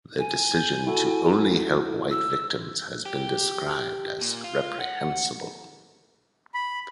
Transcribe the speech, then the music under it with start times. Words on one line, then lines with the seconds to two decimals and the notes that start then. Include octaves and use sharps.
Their decision to only help white victims has been described as "Reprehensible".
0.19 G#5
0.55 G6
0.87 E4 F#4 A4
2.11 E6
3.06 G4
4.21 A#2
4.44 F4
4.80 F#5
6.54 B5